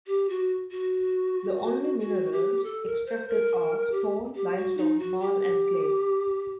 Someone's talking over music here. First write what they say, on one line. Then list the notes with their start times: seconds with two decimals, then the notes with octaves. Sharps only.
The only minerals extracted are stone, limestone, marl and clay.
0.07 G4
0.29 F#4
0.71 F#4
1.99 F#4
2.32 G4
2.64 A4
2.86 A#4
3.06 C5
3.28 A#4
3.92 G4
4.35 G4
4.56 F#4
4.77 D#4
4.99 F#4
5.20 G4